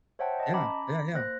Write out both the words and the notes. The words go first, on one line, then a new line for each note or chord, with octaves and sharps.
Yeah. Yeah, yeah.
C5 C#5 E5 F#5 G5 A5
D#5 A5
C#4 A#5 B5 D6
A#3 C5 F#6 A#6